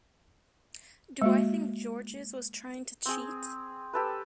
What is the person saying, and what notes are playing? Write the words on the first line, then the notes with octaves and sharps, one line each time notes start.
Do I think Georges was trying to cheat?
G#3 A#3 F#4
C4 G#4
G4 A4 B4